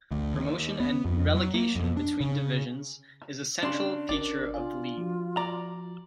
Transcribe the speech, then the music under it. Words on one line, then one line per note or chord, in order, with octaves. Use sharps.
Promotion and relegation between divisions is a central feature of the league.
D2
D#2
B3
F2
F#3
A#3
F2
D4
C#3
C#3 D4 C6
G#1 C#4 A#4 D5
F4 F5 G#5
F3 F#4
D5 A#5